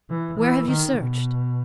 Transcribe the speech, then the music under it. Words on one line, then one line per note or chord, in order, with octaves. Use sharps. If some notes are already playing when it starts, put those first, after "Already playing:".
"Where have you searched?"
E3
E3
D#3
B2